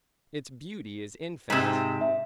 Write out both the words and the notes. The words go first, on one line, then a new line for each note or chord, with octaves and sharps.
Its beauty is infinite.
G#2 C3 B6 E7
E5